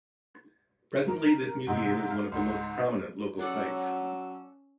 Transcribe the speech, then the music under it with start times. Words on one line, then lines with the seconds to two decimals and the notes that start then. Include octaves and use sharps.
Presently, this museum is one of the most prominent local sights.
1.08 A#4
1.67 G#2 C3 D#4
2.10 F5
2.32 C#2 G#2
3.39 F#3 C#4 A4 D5 F#5 E6